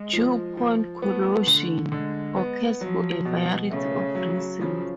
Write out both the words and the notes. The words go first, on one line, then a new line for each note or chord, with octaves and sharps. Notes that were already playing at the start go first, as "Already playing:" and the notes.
Dew point corrosion occurs for a variety of reasons.
Already playing: G#3
F3
F3
A3 B3
D3
D3 G#3
B3
F3 F#3
B2
C#3 A3
F#3
C#3 F3